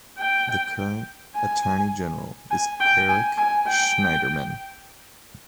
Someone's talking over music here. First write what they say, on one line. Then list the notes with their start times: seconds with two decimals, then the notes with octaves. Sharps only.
The current Attorney General is Eric Schneiderman.
0.18 G5
1.35 G#5
2.51 G#5
2.80 G5
3.08 G#5
3.38 G#5
3.67 G5